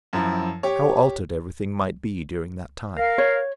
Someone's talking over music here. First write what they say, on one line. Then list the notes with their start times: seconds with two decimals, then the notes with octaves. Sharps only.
How altered every thing might be during that time!
0.13 F#2 F3 E4
0.63 G4 C#5
2.97 A#4 F5
3.18 C#5